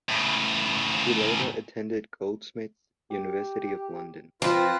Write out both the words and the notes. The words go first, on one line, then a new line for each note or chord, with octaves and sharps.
She later attended Goldsmiths, University of London.
A2 C#3
G4
F3 C4 F4 B4